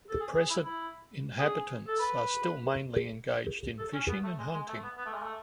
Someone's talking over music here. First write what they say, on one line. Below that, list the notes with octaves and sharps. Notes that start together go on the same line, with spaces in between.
The present inhabitants are still mainly engaged in fishing and hunting.
A4
G#4
G#4
E4
E4
G#4
A4
B4
A4
C#4
B3
A3
G#3
G#3
A3
B3
B3
A3
G#3
A3